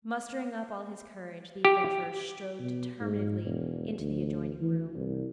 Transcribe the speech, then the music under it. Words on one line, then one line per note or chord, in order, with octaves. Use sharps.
Mustering up all his courage, the adventurer strode determinedly into the adjoining room.
G4
B2
G#2
E1
D2
E3
C2